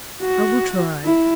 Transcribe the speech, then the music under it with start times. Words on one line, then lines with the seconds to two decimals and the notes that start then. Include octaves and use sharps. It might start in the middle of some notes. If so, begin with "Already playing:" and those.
"I will try."
0.22 F#4
1.05 E4